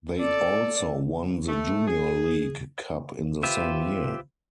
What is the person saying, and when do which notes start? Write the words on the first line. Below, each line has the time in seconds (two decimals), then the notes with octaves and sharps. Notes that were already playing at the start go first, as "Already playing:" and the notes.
They also won the Junior League Cup in the same year.
0.18 A4 D5
1.48 A3
1.87 G#4
3.43 F4 G4 B4 C5 E5